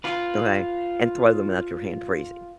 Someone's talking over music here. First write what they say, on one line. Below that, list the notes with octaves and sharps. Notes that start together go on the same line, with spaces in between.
Okay? And throw them without your hand freezing.
F4 B4